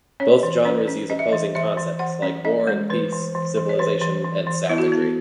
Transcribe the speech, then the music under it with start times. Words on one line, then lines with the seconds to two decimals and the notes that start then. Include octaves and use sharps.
Both genres use opposing concepts like war and peace, civilization and savagery.
0.20 C#4 C#5
0.43 E3
0.65 C#4 B4
0.88 C#4
1.10 C#4 D#5
1.19 E5
1.29 E3 D#5
1.55 E3 E5
1.77 E3
1.99 E3 F#5
2.22 C#4
2.45 C#4 D#5
2.67 G#3
2.90 E3 B4
3.12 E3
3.35 E3
3.57 E3
3.69 C#5
3.79 E3 B4
4.02 E3
4.24 E3
4.47 E3
4.69 B3 E4
4.78 F#4
4.88 B3 E4